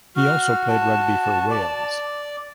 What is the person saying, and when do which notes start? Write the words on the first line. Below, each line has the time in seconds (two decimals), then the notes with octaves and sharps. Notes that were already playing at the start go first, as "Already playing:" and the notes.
He also played rugby for Wales.
0.16 F#4 F6
0.69 A5
1.50 D5